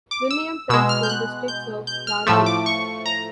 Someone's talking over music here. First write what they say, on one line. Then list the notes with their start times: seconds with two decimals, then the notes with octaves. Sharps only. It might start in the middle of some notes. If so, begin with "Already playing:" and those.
William Penn School District serves Darby.
0.11 D6
0.31 E6
0.69 B2 G#3 E6
0.89 F6
1.03 G6
1.10 F#6
1.48 G6
1.87 G6
2.07 F6
2.27 A2 F3 A3 E6
2.46 D6
2.66 C#6
3.06 A#5